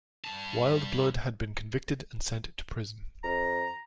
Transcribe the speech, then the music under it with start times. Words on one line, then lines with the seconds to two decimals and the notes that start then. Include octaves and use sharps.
Wildeblood had been convicted and sent to prison.
0.24 G2 A5
3.24 F2 A#5